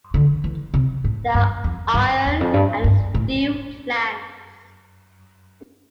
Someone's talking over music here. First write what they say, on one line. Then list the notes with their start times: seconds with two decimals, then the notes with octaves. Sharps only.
There are iron and steel plants.
0.14 D3
0.44 E3
0.74 C3
1.04 A2
1.34 G2
1.64 F2
1.94 G2
2.26 E2
2.40 F2
2.54 G2
2.84 G2
3.14 A2